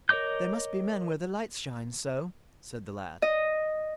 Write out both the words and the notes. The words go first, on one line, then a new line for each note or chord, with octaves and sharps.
There must be men where the lights shine so', said the lad.
A#4 C#5 D#5 D6 G6
D#5